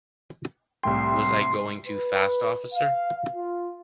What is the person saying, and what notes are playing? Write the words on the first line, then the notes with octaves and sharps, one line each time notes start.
Was I going too fast, Officer?
C2 A2 G5 C6
B4
F5
F4